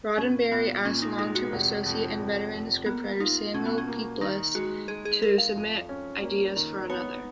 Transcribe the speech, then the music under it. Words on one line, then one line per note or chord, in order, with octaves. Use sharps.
Roddenberry asked long-time associate and veteran scriptwriter Samuel Peeples to submit ideas for another.
A#2 C#4
A#1 B3
A#2 C#4
D#4
G#3 D#4
F#4
F1
F2
F1
F2
A#3 B3
D#4 F4
B2 C#4
B3
C#4
A#3
D#3 D#4
G#3 F#4
G#3 G#4
G#4
G#3 A#4
F5
F2
C#4
A#3
D#3
B3 C#5